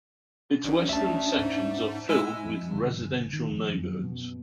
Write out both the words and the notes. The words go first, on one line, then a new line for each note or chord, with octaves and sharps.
Its western sections are filled with residential neighborhoods.
A1 C#4 D4
D2 E5 A5
G#2
G#3 E4 G#5 E6
F2
D3
G1
D#3
F2
F#2
B2